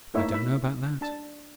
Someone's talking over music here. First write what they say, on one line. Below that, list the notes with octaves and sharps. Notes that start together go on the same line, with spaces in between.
I don't know about that.
A3 A#3 D#4 E4 C#5 E5
E5 B5
D4 A5